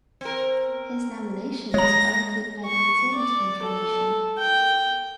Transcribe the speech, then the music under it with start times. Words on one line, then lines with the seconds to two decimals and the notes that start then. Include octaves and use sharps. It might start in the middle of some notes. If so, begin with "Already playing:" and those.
His nomination is currently pending Senate confirmation.
0.21 C4 A#4
1.74 G#3 C#5 A#5 A#6
2.66 C#6
3.14 D5
3.63 A4
4.38 G5